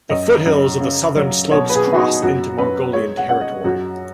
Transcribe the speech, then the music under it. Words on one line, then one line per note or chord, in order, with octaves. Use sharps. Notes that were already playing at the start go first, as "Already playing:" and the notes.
The foothills of the southern slopes cross into Mongolian territory.
F#2 D#5
F#2
C#3
F#3
B2 C#5
B4
G#4
B3
F#4
D#4
F#2 F#4
F#2 B4
G#3 C#5
F#5
C#4 F#5
D#5
F#2 F#4